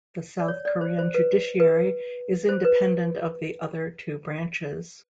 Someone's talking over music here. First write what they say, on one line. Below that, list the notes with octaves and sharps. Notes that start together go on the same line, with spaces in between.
The South Korean judiciary is independent of the other two branches.
D5
C#5
D5
C5
C5
B4
B4
C5
B4